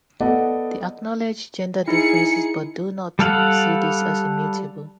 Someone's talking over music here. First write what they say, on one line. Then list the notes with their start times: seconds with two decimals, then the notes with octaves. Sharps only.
They acknowledge gender differences but do not see these as immutable.
0.20 B3 A4 D5 D#5 F#5
1.88 D#4 E4 G#4 C#7
3.19 G3 A4 F5 F#5